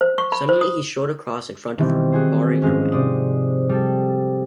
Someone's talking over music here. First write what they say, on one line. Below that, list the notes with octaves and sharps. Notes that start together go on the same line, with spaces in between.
Suddenly he strode across in front of her, barring her way.
C5
C#6
B5
C5
D#6
B2 D#3 E3 G3 C4
F#4 G#4 C5
G#2 F3 G#3 C#4
C3 C5 D5 D#6
G3 A4